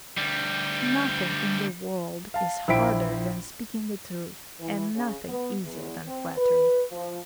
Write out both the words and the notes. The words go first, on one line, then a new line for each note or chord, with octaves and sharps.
Nothing in the world is harder than speaking the truth and nothing easier than flattery.
D2 G3
F5 A5
A#1 E4 C5 G5 B6 D7
E3
C#3
B3
E2
C4
B4
F3